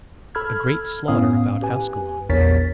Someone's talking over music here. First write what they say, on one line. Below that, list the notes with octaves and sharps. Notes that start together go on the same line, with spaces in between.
A Great Slaughter About Ascalon.
A4 B5 E6 F6 G#6
A2 B3 C#4 F5 D#6
G4 B4 G#5
A#1 E2 A#4 C#5 A6 B6